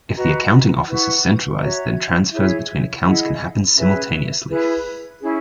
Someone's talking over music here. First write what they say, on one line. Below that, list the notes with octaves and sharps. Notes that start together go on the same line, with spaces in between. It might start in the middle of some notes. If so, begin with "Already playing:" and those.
If the accounting office is centralised, then transfers between accounts can happen simultaneously.
F#4 B4 D#5 A#5
E4 B4 F#5 C#6
F#4 C#5 E5 A#5
E4 G#4 C#5 E5
E4 G#4 D#5 F#5
C#4 G#4 B4 E5
E4 G#4 B4
C#4 E4 G#4